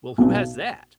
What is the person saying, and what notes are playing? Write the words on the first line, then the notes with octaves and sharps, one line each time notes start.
Well, who has that?
B1 B2